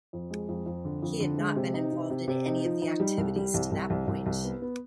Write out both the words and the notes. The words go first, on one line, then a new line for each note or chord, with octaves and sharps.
He had not been involved in any of the activities to that point.
F2
G#3
F2
F2
D3
F2
D3
G#3
C3
D#4
C3
C3
C3
D#4
F3
D#4
G3
C2
G3
C2
C2
C2
C2
C2
B3
B3